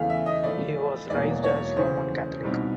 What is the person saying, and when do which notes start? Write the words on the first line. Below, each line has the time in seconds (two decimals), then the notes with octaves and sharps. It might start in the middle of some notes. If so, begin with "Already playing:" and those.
He was raised as Roman Catholic.
Already playing: E2 C#3 E3 A3 F5
0.10 E5
0.26 D#5
0.43 A2 F3 A3 D5
1.10 E1 E2 B2 F#3 A#3 D5
1.44 C#5
1.76 D2 C#3 E3 C5
2.44 C2 B2 G3 C4 D#4